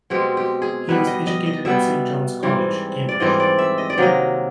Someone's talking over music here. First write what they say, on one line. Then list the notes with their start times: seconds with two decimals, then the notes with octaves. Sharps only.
He was educated at Saint John's College, Cambridge.
0.10 B2 G#3 C4 G4
0.37 G4
0.62 G#4
0.89 B2 G3 B3 B4
1.07 D#5
1.27 D#5
1.46 D#5
1.65 B2 G3 B3 E5
2.43 G#2 E3 G3 C4
3.09 D5
3.20 G#2 E3 G3 C4 D#5
3.40 D5
3.59 E5
3.78 D#5
3.90 D5
3.97 C3 D#3 F#3 A#3 D#5